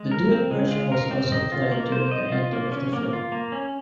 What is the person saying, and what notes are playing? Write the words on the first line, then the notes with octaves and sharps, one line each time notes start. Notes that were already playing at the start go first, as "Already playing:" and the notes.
The duet version was also played during the end of the film.
Already playing: G#3
A#4
C4
G#3
F4
A#4
C4
D#5
F4
A#3
C5
D#5
F4
A#3
C#4
A#3
F4
A#3
C#4